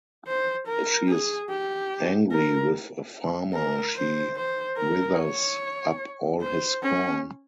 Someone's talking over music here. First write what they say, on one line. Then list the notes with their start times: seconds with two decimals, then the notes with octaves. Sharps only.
If she is angry with a farmer, she withers up all his corn.
0.27 C5
0.67 A#4
1.08 G#4
1.49 G4
2.31 A#4
3.54 A#4
3.95 C5
4.36 C5
4.77 A#4
5.18 C#5
6.42 C5
6.82 C#4